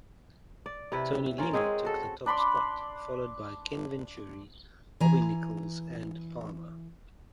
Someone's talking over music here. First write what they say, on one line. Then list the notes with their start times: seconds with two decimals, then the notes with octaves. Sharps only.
Tony Lema took the top spot, followed by Ken Venturi, Bobby Nichols, and Palmer.
0.66 D5
0.92 C3 E4 B4
1.38 C#4 F4 A#4
1.53 G#3 C4 C#4 G#4
1.85 F#4 A4
2.26 D4 B5 C6 D6
5.00 E3 G#5 A#5